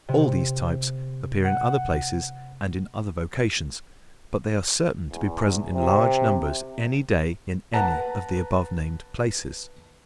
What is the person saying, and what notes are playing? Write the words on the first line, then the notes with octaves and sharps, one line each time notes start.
All these types appear in other places and in other vocations, but they are certain to be present in large numbers any day in any of the above-named places.
C3
F#5
E2
C3
B4 F#5 A5 A#5